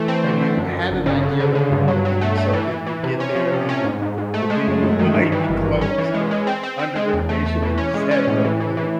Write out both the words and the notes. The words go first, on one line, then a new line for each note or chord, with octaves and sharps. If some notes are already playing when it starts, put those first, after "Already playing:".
have you had an idea, like, you wanted to do something, you get there and the venue might be closed or under renovation and you just had no clue?
Already playing: E3 A3
C4
D3
D3
F#2
F#2
G1
C#3
D3
D3
D3
G2
F#3
F#3
A3
A3
E3
E3
E3
C3
C#4
F3
C3
C#4
G#2
G#2
G#2
A3
G#3
F#2
F#2
D#3
G2
E3
G#1
G2
C#4
E3
G#3
G#3
C4
C4
C4
G#3
E2
A3
A3
E3
C#4
G#3
C#4
A2
E3
E3
E3